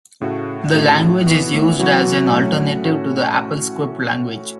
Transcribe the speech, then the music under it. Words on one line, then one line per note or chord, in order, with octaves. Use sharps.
The language is used as an alternative to the AppleScript language.
A2 C#3 A3 F#4
A2 C#3 A3 F#4
B2 E3 B3 F#4
A2
E3 F#3 B3 F#4
A2 A3 C#4 F#4
A2 A3 C#4 F#4